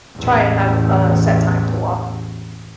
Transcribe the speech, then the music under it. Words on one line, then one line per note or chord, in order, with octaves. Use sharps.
try and have a set time to walk.
A1 E2